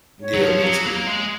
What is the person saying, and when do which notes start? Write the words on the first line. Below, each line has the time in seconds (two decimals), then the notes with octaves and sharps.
Yeah, me too.
0.20 C#5
0.34 F#3
0.42 F3
0.63 F#3
0.85 A#3
1.07 G#3